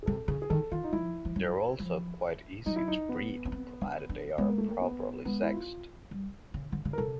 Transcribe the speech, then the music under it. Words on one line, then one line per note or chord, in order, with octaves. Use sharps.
They are also quite easy to breed provided they are properly sexed.
G#4
C3 A4
C#3 G#4
G#4
D#3 A4
D#3 F4
D#4
F3 E4
F3
F#3
F3
F#3 D#4
E4
D#4
B3
C#4
C4
D4
D4
G#3 B3
A#3
A3
A#3
B3
G#3 B3
E4
F4
G3
C#3
D3
C#3
A#4
C3 A4